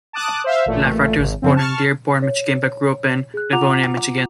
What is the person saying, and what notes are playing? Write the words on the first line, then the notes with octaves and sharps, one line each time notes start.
Iafrate was born in Dearborn, Michigan, but grew up in Livonia, Michigan.
A5 D6 D#6 F#6
C5 E5 F5
A1 A#2 A3
G#1
F#2 C#3 F3 C4
A5 C#6 F6
C#5
G#4 F#6
F4 F#5 A#5 D6 F7